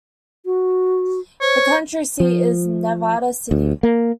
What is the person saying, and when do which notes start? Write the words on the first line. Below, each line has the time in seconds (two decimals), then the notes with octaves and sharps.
The county seat is Nevada City.
0.46 F#4
1.41 C5 C#5
2.20 F3
3.51 D2
3.83 A#3